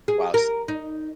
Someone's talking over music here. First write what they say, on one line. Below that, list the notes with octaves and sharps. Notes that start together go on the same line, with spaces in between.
Wow, s
G#4
A#4
D#4